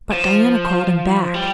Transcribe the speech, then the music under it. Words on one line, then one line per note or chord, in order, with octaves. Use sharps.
But Diana called him back.
F3
G3